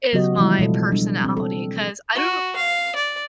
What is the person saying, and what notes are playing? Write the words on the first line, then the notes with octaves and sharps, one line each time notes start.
is my personality. 'Cause I don't
C#3 F#3 B3 F#4 G4 D#5
E3 F3 G3 G#3 E4 F4
B2 G#3 A4
G3 D4
C4
A4
F#4
F5
D5